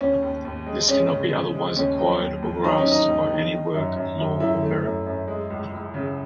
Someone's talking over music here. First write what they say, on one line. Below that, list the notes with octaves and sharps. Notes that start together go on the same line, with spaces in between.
This cannot be otherwise acquired or grasped by any work, law, or merit.
D#2 C#4
D#2
D#2
G#3
G#3 C#4
C#3
C#3
G#3
D#2 C#4
F#3
D#2
D#2
F#3 D#4
C#4
D#3
D#4
D#2
D#3
D#3
F#2
F#2
F#2
F#2 E4
A3
F#2
F#2
G#3
C#2
C#2
C#3